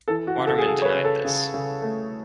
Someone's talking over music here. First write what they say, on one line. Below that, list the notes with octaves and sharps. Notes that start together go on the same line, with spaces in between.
Waterman denied this.
E3 A4
F#4
C#3
A4
G#4
C#3 A4
C#5
B4
C#3
A4
C#3
C#3
A3